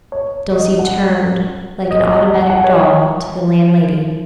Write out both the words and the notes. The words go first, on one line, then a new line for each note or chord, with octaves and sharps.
Dulcie turned like an automatic doll to the landlady.
C#5
D#5
F#5
D#5
D#5
F#5
F#5
C#5